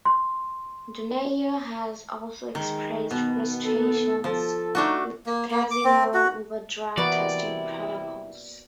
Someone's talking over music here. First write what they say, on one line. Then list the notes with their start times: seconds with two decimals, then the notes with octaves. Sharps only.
Donaire has also expressed frustrations with Casimero over drug testing protocols.
0.05 C6
2.55 D#3 G#3
3.11 B2 B3
3.63 A4
4.24 F3 A4
4.75 A3 D4 D#4 F#4
5.26 A#3
5.51 A#3
5.71 D6
5.84 C4
6.14 F#4
6.97 C3 E3 A#3 B3 E4 F#4 D5